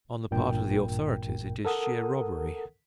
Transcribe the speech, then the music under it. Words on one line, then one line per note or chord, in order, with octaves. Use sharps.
On the part of the authorities it is sheer robbery.
A1 G2 A#2 A#4 G5
A4 A#4 F#5 D#6